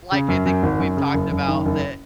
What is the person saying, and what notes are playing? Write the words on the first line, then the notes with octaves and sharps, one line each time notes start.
l like I think we've talked about that
C#3
F#2
F#2
G#1
F#2
C#3
F#1
F#1
D#3
F#1